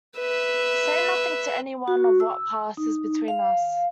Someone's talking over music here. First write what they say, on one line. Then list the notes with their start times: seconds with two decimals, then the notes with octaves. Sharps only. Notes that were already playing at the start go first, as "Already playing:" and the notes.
Say nothing to any one of what passes between us.
0.18 B4 E5
1.88 F#4
2.20 E6
2.77 D#4
3.28 F5